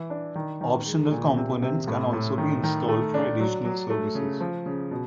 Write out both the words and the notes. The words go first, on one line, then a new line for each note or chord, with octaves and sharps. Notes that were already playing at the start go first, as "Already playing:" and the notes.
Optional components can also be installed for additional services.
Already playing: E3
D4
D#3
D#3
G#3
A#2
C3
C3
A2
A2
D#3
D#3
A3
D4
F#3
F#3
A3
C#3
F3
C#3
B2